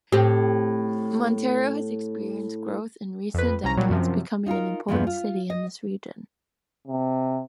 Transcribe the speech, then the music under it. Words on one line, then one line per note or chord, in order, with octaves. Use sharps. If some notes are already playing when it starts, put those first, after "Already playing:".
Montero has experienced growth in recent decades, becoming an important city in this region.
A2 C4 G4
F2 B4
C2 C#4 A#5
A#2 F#3 G3
F#2 C3 F3
D#4 F4 G#4 A#4
E2 G2 C3 F3 B3
F4
D#5
C3